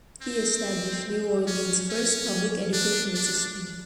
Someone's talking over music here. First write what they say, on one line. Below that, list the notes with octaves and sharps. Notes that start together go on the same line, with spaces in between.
He established New Orleans' first public educational system.
C4
C#4
C#4
D4
D4